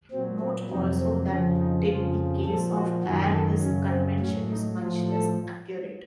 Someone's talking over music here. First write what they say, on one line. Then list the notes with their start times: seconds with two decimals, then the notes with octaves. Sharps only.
Note also, that in the case of air, this convention is much less accurate.
0.11 A#2 F#3 C4
0.41 C4
0.70 F2 C3 F#3 D#4
1.00 C4
1.28 F2 C#3 F3 C#4
1.57 D#4
1.87 F2 C#3 F3 F4
2.45 A#2 F3 A4
2.74 F#4
3.03 F#2 D#3 F#3 F#4
3.32 A4
3.61 F#2 C#3 F#3 C#4
3.90 C4
4.20 A2 F#3 C#4
4.49 D#4
4.78 A2 F3 F4
5.08 A4